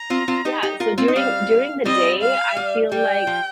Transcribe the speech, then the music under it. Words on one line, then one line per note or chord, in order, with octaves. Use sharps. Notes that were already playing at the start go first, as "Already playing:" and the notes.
yeah, so during during the day, I feel like,
Already playing: A#5
C4 F4
C4 F4
D#4 G4
D#4 G4
F4 A#4
C4 F4
D#4
G3 C4 F5
G3 C4 D#5
F5
G3
G3 G5
F3